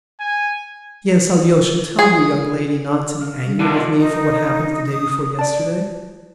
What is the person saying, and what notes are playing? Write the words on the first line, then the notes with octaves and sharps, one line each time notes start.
Yes, Alyosha, tell your young lady not to be angry with me for what happened the day before yesterday....
G#5
G#4
F5
G3
E2 D3 D4 A4
F4 D#5
D#4
D#6
D5 A5